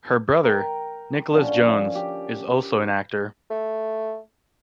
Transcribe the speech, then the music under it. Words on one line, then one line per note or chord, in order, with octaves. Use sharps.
Her brother, Nicholas Jones, is also an actor.
A#4 G5
D3 F3 C#4
G4
A3